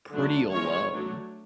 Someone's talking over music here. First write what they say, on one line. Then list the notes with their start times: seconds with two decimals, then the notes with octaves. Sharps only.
pretty alone.
0.11 D3 F#3 A3 D4
0.51 F3 G#3 C#4 C#5
0.93 F#3 A3 D4